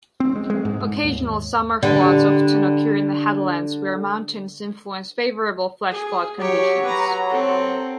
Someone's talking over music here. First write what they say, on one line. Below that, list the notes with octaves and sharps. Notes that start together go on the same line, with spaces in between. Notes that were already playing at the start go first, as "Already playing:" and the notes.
Occasional summer floods often occur in the headlands, where mountains influence favorable flash-flood conditions.
C4
G#3
G#3
G#2
G#2
D#2
D3 G3
G#4
F#3 G4 C#5
B4 A#5
C4 A4